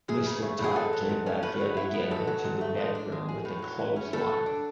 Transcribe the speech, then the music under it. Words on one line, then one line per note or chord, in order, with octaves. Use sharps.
Mr Tod came back yet again into the bedroom with a clothes line.
F#2 G#4
C#3
A3
E3
G#4
G#2 A4
F#3
G#2
C#4
A2 B4
F#3
E4
B3
G#2 A4
F#3
G#2
A3
G#3
D4
G#3
G#4
A2
F#3
E4
C#4
A2 A4
F#3
D4